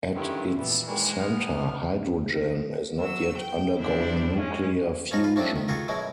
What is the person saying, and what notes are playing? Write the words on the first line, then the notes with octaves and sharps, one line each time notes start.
At its center, hydrogen is not yet undergoing nuclear fusion.
G2 D3 D#3 C#4 E4 G4
A#2 E3 G3 B3
D#3 E3 G3 G#3
B3 F6
F#3 E6
G5
F3 G3 C4 D4 E4
G#3 C#4
F3 C#4 D#4 F#4
F4 B4
F3 F#3 A3 C4 D4
D#3
D#3 F4 F#4 G#4 A4
F#2 B2 F#3 G#3 E4